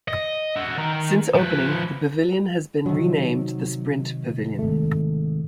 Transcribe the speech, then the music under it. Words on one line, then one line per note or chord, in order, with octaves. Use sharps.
Since opening the Pavilion has been renamed the Sprint Pavilion.
D#5
F#4 E5
D#3 A#4
F3 B4
C3 D#3 F#3
G#1 A3